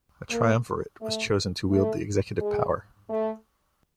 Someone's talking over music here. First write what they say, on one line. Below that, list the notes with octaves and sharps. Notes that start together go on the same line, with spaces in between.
A Triumvirate was chosen to wield the executive power.
A#3
A3
A3
G#3
A3